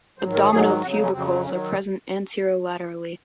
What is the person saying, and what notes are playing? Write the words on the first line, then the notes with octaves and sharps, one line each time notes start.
Abdominal tubercles are present anterolaterally.
G#2 D#3 F#3 C5
A#4
G#2 D#3 F#3 G#4
F2 C#3 F#3 F#4
D#4
C#4
F2 C#3 F#3 C4
D#3 F#3 C#4